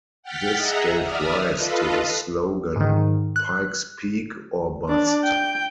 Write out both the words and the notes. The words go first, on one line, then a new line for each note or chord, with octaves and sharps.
This gave rise to the slogan, Pike's Peak or Bust.
F#5 G5 F6 G6 A6 B6
G#4 D#5 E5 F#5 A#5
D5 E5 D#6 F6
F4 A4 B4 D#5 F5
G#2 D#3
F#6
D4
G5